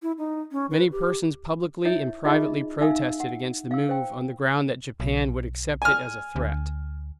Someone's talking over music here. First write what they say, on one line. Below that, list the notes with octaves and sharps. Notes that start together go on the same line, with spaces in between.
Many persons publicly and privately protested against the move on the ground that Japan would accept it as a threat.
E4
D#4
C#4
B4
G4
E4 C#5 E5
D#4 F4 G#4 D#5 E5
D#4 E5 F5 G#5 E6
F#5
F5 E6
C5 G5
B1
G#5 F6
D2